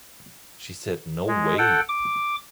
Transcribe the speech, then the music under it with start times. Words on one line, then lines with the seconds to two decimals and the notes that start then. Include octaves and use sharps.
She said No way!
1.28 G#3
1.58 A4 F#5 G5
1.89 D6